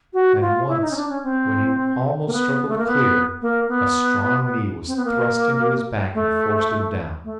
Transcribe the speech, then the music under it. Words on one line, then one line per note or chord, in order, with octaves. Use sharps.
And once when he almost struggled clear, a strong knee was thrust into his back and forced him down.
F#4
F4
E4
D#4
C#4
D4
C#4
C4
A#3
B3
A3
A#3
B3
A#3
B3
C4
B3
A#3
A3
A3